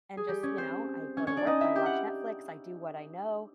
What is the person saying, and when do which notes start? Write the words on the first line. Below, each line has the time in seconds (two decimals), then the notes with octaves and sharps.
and just you know, I go to work, I watch Netflix, I do what I know.
0.17 G#4
0.28 G3 G4
0.43 C#4 C#5
0.58 C4 C5
1.17 C#4 C#5
1.27 C#4 C#5
1.36 D4 D5
1.46 D#4 D#5
1.61 E4 E5
1.76 G4 G5
1.86 F#5